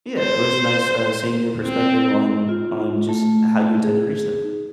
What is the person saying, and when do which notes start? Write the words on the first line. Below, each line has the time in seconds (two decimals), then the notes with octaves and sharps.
Yeah, it was nice, uh, seeing your perspective on on just how you intend to reach them.
0.19 C5
1.65 C4
2.49 F4
3.09 A3
3.84 G#4
4.42 D#4